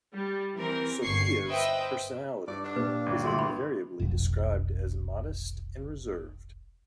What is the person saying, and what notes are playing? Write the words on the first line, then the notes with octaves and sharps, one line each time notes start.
Sothea's personality is invariably described as modest and reserved.
G3
E3 C4 A#4
G1 C#6 G#6 C7
B4 C5 D#5 E5 G5
G2 D5
D4
A#2 A#3 G4 B4
G1
D3 G3 E4 F#4 G#4 C6
E3 B5
F1 B1 F2